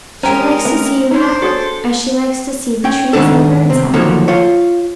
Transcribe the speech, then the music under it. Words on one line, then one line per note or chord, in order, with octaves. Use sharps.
She likes to see you happy, as she likes to see the trees and birds happy.
G#3 C#4 G4 A#4 C5 G5 A#5
A3 C4 C#4 B4
D4 D#4 C5 C#5
F#4 G#4 A4 C#5
C#4 G5
D#3 G#3 B3 D4 A4
C3 C4
D2 D#3 F3 F#3 A#3 A4
F4 C#5